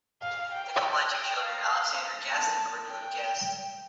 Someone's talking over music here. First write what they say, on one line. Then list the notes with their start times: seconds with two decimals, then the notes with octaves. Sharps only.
The couple had two children, Alexander Guest and Cornelia Guest.
0.22 F5
0.52 G5
1.11 G5
1.41 F5
2.31 A5
2.90 G5